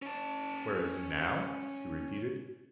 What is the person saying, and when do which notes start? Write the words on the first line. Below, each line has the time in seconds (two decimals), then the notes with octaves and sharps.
"Whereas now?" she repeated.
0.02 C#4 A5